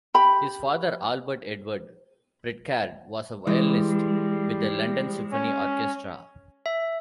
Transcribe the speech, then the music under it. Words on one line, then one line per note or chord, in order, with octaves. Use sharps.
His father, Albert Edward Pritchard, was a violinist with the London Symphony Orchestra.
G4 B5
E3 G3 G#3
C#4
E5